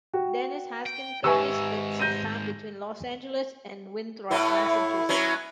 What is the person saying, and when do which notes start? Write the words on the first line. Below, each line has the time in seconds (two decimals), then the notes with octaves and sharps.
Dennis Haskins currently splits his time between Los Angeles and Winthrop, Massachusetts.
0.14 F#4 G5
0.86 G5
1.24 G#2 D#3 G4 B4 E5 G#5 C#6 E6
2.00 G6 A#6 D#7
4.31 A2 B3 E4
5.09 F#3 B3 C#4